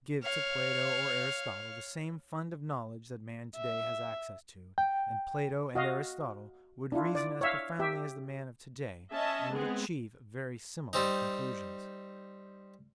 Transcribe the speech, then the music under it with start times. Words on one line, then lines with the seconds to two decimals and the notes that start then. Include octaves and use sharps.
Give to Plato or Aristotle the same fund of knowledge that man to-day has access to, and Plato and Aristotle would reason as profoundly as the man of to-day and would achieve very similar conclusions.
0.23 C#5 F5
3.56 E5
4.78 G5
5.75 F#4 D#5 F5
6.92 D4 E4 F4
7.15 D5
7.41 C#5 E5 F5
7.80 G4 E5
9.12 C#4 D#5 E5 A5
9.54 G#3 B3 C4 G#4
10.93 G3 C4 D#4